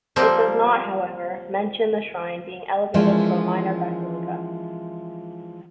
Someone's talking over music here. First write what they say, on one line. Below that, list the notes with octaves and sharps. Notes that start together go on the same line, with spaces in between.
It does not however, mention the shrine being elevated to a minor basilica.
F3 G3 A#3 C4
E3 F3 G#3 A#3 C#4